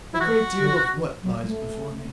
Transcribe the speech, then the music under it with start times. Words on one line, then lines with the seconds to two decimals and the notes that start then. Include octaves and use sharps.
"A great deal of what lies before me?"
0.14 E4
0.20 E3 F#4
0.58 D3
0.96 E3
1.23 F#3
1.43 F#3
1.48 A3